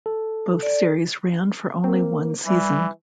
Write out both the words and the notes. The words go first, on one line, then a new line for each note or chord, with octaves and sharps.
Both series ran for only one season.
A4
D5
A#3 C4
E3 G3 E5